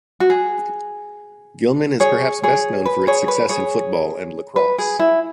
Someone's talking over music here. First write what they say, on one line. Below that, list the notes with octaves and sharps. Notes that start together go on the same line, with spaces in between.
Gilman is perhaps best known for its success in football and lacrosse.
F#4
G#4
G#4 C#5
G#4 C#5
B4
G#4 C#5
B4
G#4 C#5
B4
G#4
E4